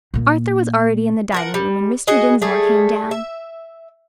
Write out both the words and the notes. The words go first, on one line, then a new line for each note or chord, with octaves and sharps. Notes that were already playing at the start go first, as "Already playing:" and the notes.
Arthur was already in the dining-room when Mr. Dinsmore came down.
A#2 A#3
F3 A#4 F#5
G3
F#4 G#4 D#5
G3 A3 G#4
E5